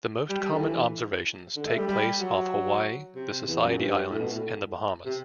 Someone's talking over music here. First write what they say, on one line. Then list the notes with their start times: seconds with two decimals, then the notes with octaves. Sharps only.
The most common observations take place off Hawaii, the Society Islands, and the Bahamas.
0.29 G3
0.40 G3
0.50 D3
0.61 E3
1.56 D3
1.67 A3
1.78 G3
1.88 G3
2.20 F#3
3.15 C3
3.47 E2
3.62 F#2
3.79 G2
4.10 A2
4.20 B2
4.31 A2
5.05 C3